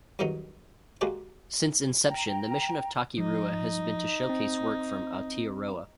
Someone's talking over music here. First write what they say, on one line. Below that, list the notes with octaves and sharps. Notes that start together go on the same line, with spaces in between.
Since inception the mission of Taki Rua has been to showcase work from Aotearoa.
E2 G2 D#3 F#3 D#4
G#3 A#3 F#4 G4 D5
G5 A#5
F3 D#4
C4